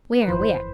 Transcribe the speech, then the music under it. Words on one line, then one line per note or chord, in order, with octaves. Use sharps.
Where, where?
B4
G1 F2 E3 C5